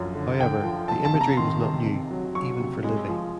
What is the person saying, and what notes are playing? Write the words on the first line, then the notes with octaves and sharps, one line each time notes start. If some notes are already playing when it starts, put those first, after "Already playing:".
However, the imagery was not new, even for Livy.
Already playing: F#2 D3 F3
D3
D3 G5
F3
F2 A5
A5
C3
A#5
D#3 C6
C3
C3
F#3
F#3 C#6
C3
G#3
F3